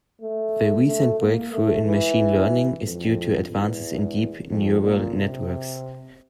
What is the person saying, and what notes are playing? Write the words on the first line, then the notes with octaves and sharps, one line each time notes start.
The recent breakthrough in machine learning is due to advances in deep neural networks.
A3
A3
A#3
A3
E3
F2
E2
F2
A#2
C3